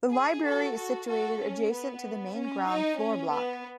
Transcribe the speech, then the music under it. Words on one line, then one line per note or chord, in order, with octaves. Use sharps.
The library is situated adjacent to the main ground floor block.
G#4
F#4 A4
F#4 A4
F#4 A4
C#4
B3
C#4
D#4
C#4
B3